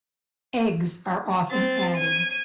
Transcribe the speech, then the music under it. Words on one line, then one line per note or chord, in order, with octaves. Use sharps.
Eggs are often added.
C4 A6
G#6 D#7